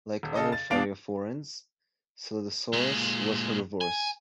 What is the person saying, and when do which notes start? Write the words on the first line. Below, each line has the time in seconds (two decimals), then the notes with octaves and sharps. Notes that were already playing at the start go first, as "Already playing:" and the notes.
Like other thyreophorans, "Scelidosaurus" was herbivorous.
0.23 D#1
0.36 C#3 A4 D#5
0.52 A6
0.70 E2 B2 D4 F4 D7 F7
2.73 A#2 G#3
3.81 G#5